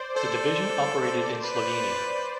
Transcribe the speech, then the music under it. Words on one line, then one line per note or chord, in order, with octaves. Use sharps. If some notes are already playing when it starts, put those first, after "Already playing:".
The division operated in Slovenia.
Already playing: C5 D5
A4 C5
B4